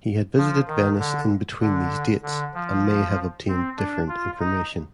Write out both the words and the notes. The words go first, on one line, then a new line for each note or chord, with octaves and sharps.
He had visited Venice in between these dates, and may have obtained different information.
F3
D#3
D3
D3
D3
F3
C4
D4
F4
D#4